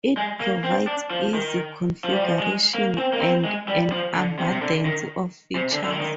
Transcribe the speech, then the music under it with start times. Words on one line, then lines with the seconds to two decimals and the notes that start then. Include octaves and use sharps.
It provides easy configuration and an abundance of features.
0.17 G#3
0.40 A#3
0.64 C4
0.87 D4
1.10 F3
1.34 D#3
2.04 F3
2.14 G3
2.24 F3
2.39 G#3
2.75 A#3
2.98 C4
3.13 A#3
3.21 C4
3.45 G#3
3.68 G3
3.92 F3
4.15 D3
4.38 C3
4.52 C3
4.61 D3
4.85 D#3
5.55 C3
5.73 D3
5.84 D3
5.90 D#3
6.01 D#3